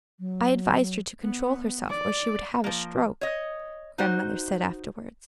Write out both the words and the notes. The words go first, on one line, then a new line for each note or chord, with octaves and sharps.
"I advised her to control herself, or she would have a stroke," grandmother said afterwards.
F#3
B3
D5
F3 A#3
C#5 D#5
D#4 F#4 C5